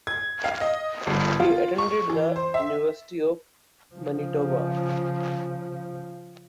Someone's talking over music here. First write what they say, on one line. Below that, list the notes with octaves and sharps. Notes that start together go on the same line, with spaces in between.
He attended the University of Manitoba.
G#6
F5
D#5
G1
F4
C#6
E3
C5
E5
C#3 F3